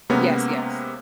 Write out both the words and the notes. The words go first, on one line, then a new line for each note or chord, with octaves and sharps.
Yes, yes.
C3 G#3 A#3 B3 C#4